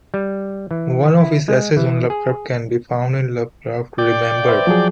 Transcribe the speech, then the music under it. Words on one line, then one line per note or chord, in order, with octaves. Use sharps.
One of his essays on Lovecraft can be found in Lovecraft Remembered.
G3
E3
E4
G#3
E3
G#4
D5 G5
B4 C5 E5
F3 F#3 G#4